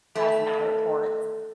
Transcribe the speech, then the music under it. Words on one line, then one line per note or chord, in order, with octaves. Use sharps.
has Matterports
A3